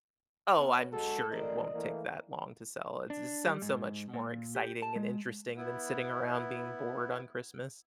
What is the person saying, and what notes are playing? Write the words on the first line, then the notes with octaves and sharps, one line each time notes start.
oh, I'm sure it won't take that long to sell. It it sounds so much more exciting and interesting than sitting around being bored on Christmas.
F#3 B3 C#4 A5
B2 G#3 F#4 A4
A1 A2 A#4 C5 D5 D#5
E3 A3 A#3
D4
G3
G#2
A#2
G4
A5
G#3
B3 E4